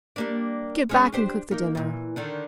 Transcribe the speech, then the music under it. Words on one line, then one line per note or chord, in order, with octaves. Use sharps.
Get back and cook the dinner.
G3 A#3 D4
G#3 C#4 C#5
D4 G4 C5
A#3 D#4
A#2 E3
D3 D#3 D4